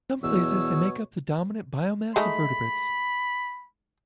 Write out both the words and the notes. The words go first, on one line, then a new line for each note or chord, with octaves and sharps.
In some places, they make up the dominant biomass of vertebrates.
E2 B2 C#5 E6
G#3 A3 D#4 B5